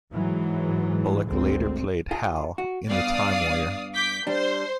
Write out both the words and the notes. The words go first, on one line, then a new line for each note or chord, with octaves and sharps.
Bulloch later played Hal in "The Time Warrior".
G#2 E3 F#3
G#1 D2 C4
F4 G#4
F#4
G2 B3 D5 F5 D#6
D6 G6 B6
G3 D4 C5